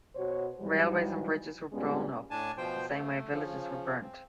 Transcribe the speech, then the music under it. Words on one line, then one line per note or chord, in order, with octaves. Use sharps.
Railways and bridges were blown up, the same way villages were burnt.
B2 F#4 C5 C#5
G#2 E3 F#3 G3
A#2 G3 G#3 B3 C#4
A2 D4 G#5 A5
B2 F3 C5 G5
A3
C#3 F3
C4